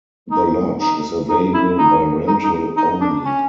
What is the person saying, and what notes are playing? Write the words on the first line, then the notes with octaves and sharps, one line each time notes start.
The Lodge is available by rental only.
D#4
D#4
D#4
E4
D#4
D#4
D#4
D#4
D4
C#4